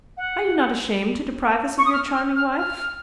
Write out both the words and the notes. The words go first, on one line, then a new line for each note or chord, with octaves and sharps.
"Are you not ashamed to deprive us of your charming wife?"
F#5
C#6
D#6
F6
F6
F6
F6